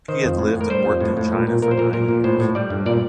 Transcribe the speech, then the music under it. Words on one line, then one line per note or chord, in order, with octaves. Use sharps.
He had lived and worked in China for nine years.
D#3 C5
F2
A2
A2
A#4
G3 C5
F2
A2
A2
A#2
A#2
A#2 A#4
C5
A#2 A#4
A#2 A#4
A#2
A2 C5
A2
G3 D5
G2
A#2 D5